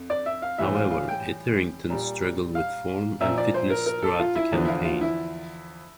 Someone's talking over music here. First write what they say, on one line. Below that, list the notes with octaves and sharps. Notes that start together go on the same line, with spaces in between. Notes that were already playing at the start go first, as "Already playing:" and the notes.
However Etherington struggled with form and fitness throughout the campaign.
Already playing: F2
D5
E5
F5
A2 E3 G3 E5
F5
F5
G5
A#2 G3
F5
A#2 F3 E5
D5
C5
A#4
A#4
A4
F4
E4
E2 D3 F3
E4
F4
F4
E4